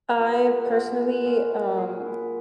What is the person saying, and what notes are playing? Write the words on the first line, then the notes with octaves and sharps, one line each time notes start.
I personally, um
A#2 G#3 B3
E4
F#4
A#2 G#3 F#4
A#2 G#3
A#2 G#3 G#4
F#4
E4